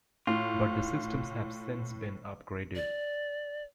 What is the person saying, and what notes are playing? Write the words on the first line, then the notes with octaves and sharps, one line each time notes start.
But the systems have since been upgraded.
A2 F4
D5